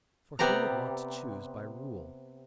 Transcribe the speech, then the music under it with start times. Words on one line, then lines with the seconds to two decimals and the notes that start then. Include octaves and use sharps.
For who would want to choose by rule?
0.39 C3 B3 G4 D5 A#5